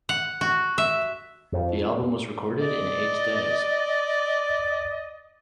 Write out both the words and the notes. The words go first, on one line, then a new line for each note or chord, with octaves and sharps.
The album was recorded in eight days.
F#5
F#4
E5
F2
D5 D#5